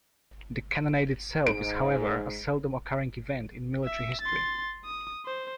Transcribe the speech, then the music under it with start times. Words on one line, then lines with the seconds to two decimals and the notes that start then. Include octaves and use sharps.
The cannonade itself is however a seldom occurring event in military history.
1.47 G#2 D7
3.84 E5
4.22 C6 A6
4.85 D#6
5.26 C5